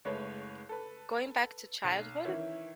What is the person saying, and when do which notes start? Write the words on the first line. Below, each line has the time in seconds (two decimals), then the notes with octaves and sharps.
Going back to childhood?
0.05 F#1 G#3 A3 B4 C#5
0.69 A4 B4
1.84 B1
2.25 D#3 E3 C#4 E4